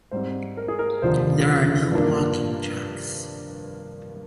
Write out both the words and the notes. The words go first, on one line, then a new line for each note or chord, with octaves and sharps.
There are no walking tracks.
G#2 G3 C4 C5
A#4
G#4
A#4
F1 D#2 D3 F3 C5
G2 F3 A#3 D4